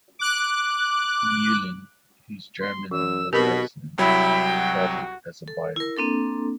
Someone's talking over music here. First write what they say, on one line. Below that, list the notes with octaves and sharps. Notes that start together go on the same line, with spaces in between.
Meulen, whose German was excellent, travelled as a buyer.
D6 F#6
C6
F#2 E3 E6
B1 B2 C4 G4 A#4 B5
C2 F#3 E4 G5
F#4
A4
E4 A#4
A#3 C4 D4 A4